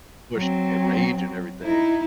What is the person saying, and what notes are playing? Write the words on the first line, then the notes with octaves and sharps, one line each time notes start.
push, uh, rage and everything.
F#3 C4
D#4 E4